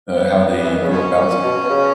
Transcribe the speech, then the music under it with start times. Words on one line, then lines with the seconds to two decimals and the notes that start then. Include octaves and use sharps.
uh, how they go about it.
0.13 B3
0.57 G3
0.65 E3
0.74 D#3
0.82 C#3
0.90 B2 C#4
1.16 A#2
1.30 A#2
1.42 B2
1.64 B2
1.68 C#3